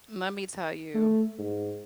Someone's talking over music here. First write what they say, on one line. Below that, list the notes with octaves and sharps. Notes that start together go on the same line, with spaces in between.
Let me tell you,
A3
G#2